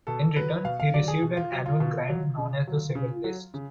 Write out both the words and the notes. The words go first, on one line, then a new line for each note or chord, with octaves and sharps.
In return, he received an annual grant known as the Civil list.
B2 A4
F#3 B4
B2 F5
F5
F#3 D5
G#4
B2
F4
F#3
F4
B2 F4
F#3
C#3
F#3
C#3
F#3
C#3